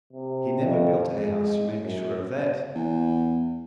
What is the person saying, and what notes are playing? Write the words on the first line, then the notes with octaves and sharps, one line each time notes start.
He never built a house, you may be sure of that.
C3
F2
G#3
F#2
E2